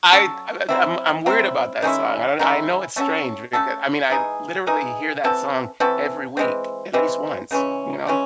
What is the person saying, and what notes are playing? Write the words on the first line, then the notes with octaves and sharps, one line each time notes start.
I I I I'm I'm weird about that song, I don't I know it's strange becau I mean, I literally hear that song every week, at least once, you know?
F#3 C#4 F#4 A4
F#3 C4 E4
F#3 C4 E4
D#3 G#3 C#4 E4
D#3 G#3 C#4 E4
A3 C#4 F#4 A4
A3 C#4 F#4 A4
E3 G#3 D#4 G#4
E3 G#3 D#4 G#4
E3 C4 F#4 A4
E3 C4 F#4 A4
E3 G#3 C4
E3 G#3 C4
C#3 E3 G#3 C#4
C#3 E3 G#3 C#4